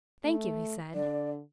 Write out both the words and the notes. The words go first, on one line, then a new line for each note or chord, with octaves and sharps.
"Thank you," he said.
A3
D3 D5